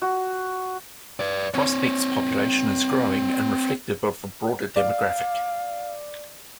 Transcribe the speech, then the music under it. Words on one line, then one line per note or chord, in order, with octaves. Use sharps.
Prospect's population is growing and reflective of a broader demographic.
F#4
B4 D5
C4 C#5
D5 F5